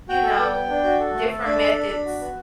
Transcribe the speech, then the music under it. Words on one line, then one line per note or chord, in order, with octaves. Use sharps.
you know, different methods
F#4 G5
A4
B3
B3
D4
F#4
A4
A3
A4
D4 B5
A4 B5
D4
D4
F#4
B3